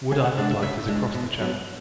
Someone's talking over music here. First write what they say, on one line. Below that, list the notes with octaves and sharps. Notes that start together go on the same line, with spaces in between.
Wood Island Light is across the channel.
C#3 G#5
F#5
G#3 D4 D5
E5
C#3 E5
G#3 D4
B2
F#3 B3 D4